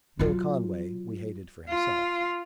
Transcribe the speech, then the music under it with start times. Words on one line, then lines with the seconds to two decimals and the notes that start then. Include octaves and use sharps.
Bill Conway we hated for himself.
0.19 F#3 F4
1.69 F4